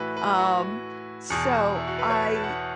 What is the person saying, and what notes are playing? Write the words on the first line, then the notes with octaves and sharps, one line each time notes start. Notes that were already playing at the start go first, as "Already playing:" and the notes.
um, so I
Already playing: A2 E3 E4 F#4 B4
B4
F#4
E2 B2
E4
F#4
B4
C#5
E5
A5
F#5